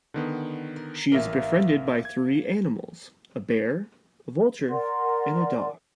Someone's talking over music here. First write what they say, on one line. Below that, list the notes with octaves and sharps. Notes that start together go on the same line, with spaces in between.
She is befriended by three animals: a bear, a vulture and a dog.
D3 D#3 B3
A#4
A1 A#3 A#4 E5 F5
G#6
A#4 D5 F#5 C6